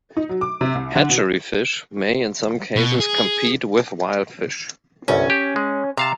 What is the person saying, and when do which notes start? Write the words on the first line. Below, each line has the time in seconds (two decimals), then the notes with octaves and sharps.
Hatchery fish may in some cases compete with wild fish.
0.17 D#4
0.29 F#3
0.41 D6
0.61 C3
0.75 C2
0.96 D3
1.09 B2
2.76 B2
3.00 G#4
5.08 G1 C2 F#2 C#4
5.30 G4
5.56 G#3
5.97 C3 F5 A5 A#5